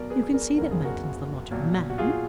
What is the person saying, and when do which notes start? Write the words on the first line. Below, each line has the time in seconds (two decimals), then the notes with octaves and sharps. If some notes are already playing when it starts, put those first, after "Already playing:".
"You can see that Manton's the logical man?"
Already playing: B1 B2 F#3 A#4 D5
0.10 G#4 B4
0.34 A#4 D5
0.58 F#1 F2 D3 A#4
0.71 G#4
0.84 F#4 A#4
1.51 B1 A#2 F#3
1.90 F#4
1.98 F4 G#4